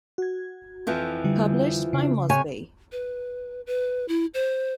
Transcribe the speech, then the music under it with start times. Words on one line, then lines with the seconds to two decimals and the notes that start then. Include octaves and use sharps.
Published by Mosby.
0.18 F#4 G#6
0.87 F2 E3 F3
1.24 D3 G3
1.93 C#3
2.30 C3 C#5 G#5
2.92 B4
3.67 B4
4.08 E4
4.34 C5